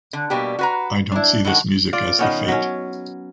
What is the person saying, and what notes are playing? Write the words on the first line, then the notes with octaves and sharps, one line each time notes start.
I don’t see this music as the fate.
D3
B2 G3 A#3 G4
F#4 B4 A#5
D4 E4
A2 D3 D#3 F#4
F4 D5
D#3 B3 C#4
F#3 C#4